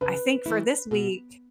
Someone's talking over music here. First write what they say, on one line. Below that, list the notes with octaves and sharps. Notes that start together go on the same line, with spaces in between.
I think for this week
C#3 B4
E3 A3 E4
B2